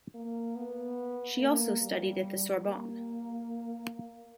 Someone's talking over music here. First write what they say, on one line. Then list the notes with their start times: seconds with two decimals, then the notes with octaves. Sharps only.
She also studied at the Sorbonne.
0.14 A#3
0.55 B3
1.38 A#3
1.81 G3
2.64 A#3